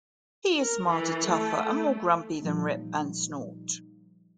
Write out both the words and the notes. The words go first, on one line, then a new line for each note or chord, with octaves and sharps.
He is smarter, tougher, and more grumpy than Rip and Snort.
A#4
E3
A3
A#2 F3 G3 A#3 D#4